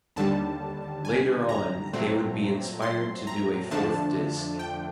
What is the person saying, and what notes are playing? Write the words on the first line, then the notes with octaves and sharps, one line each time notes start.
Later on, they would be inspired to do a fourth disc.
D#2 D3 G3 A5
G#5
A#5
A#2 F#3 A3 C4
C6
A#5
F2 D3 F3 A3 D4 A5
G5